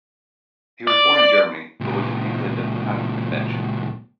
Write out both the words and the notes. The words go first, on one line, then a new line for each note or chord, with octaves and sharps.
He was born in Germany, but was in England at the time of invention.
D5
C#2 A#2